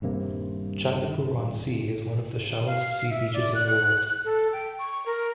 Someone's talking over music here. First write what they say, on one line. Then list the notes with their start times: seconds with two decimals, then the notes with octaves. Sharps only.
Chandipur on sea is one of the shallowest sea beaches in the world.
0.02 D#1 G2 C3 A#3
2.66 F5
3.10 E5
3.34 D5
3.55 F#6
3.67 F#6
4.25 A4
4.53 G5
4.79 C#6
5.06 A#4